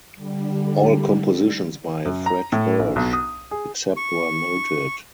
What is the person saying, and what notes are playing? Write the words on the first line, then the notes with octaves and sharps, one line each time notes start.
All compositions by Fred Hersch except where noted.
D3 G3
F#2
A#5
A2
A#1
B1
D#6
G#4
C#6